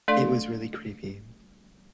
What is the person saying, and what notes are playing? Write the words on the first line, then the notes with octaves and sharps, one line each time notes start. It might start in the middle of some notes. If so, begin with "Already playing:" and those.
It was really creepy.
A3 D4 A4 D5 F5 C6